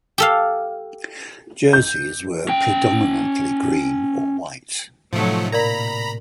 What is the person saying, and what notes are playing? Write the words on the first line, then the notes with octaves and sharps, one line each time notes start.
Jerseys were predominantly green or white.
G4 A4 F5
G6
C#4 G5
A2 C3 F3 F#3 A3 D#4
A#2 A#4 D5 F5 A#5 B5